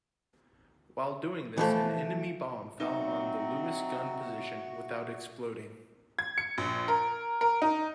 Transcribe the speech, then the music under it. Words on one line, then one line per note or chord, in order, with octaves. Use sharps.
While doing this an enemy bomb fell on the Lewis gun position without exploding.
E3 F3 A3
D#3 F#3 C4 D#4 F#4 E5
G#6
C#7
A#1
A#4
A#4
D#4